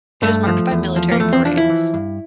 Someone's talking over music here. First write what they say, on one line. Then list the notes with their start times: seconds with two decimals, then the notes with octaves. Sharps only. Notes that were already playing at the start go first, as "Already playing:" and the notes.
It is marked by military parades.
0.22 G2 A3
0.47 F3
0.71 E2
0.96 F3
1.11 A#3
1.20 E2 A3
1.33 C4
1.45 F3 D4
1.57 E4
1.69 E3
1.94 G2